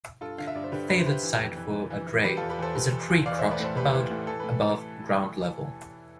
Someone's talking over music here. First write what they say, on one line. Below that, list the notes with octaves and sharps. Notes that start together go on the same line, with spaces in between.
A favoured site for a drey is a tree crotch about above ground level.
G2 F4 A4
D3 F5
E5
G2 D5
C5
D3 G4 B4
G2 G4 B4
C5
G2 G4 B4
E3
F2
E3
E3
E3
E3
E2 G4 B4
E2 F4 A4
G4 B4
E2 A4 C5
E2 G4 B4
E2
E2
E3 D5 F5
A2 C5 E5
B4 D5
A2 A4 C5
A2 G4 B4
E3
A2
E3 A4
A2 B4